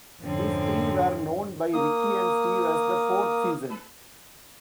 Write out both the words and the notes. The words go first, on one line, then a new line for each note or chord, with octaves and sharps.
These three were known by Ricky and Steve as "The Fourth Season".
F2 G#2 D3 F3 C4 C#4
A#3 D#6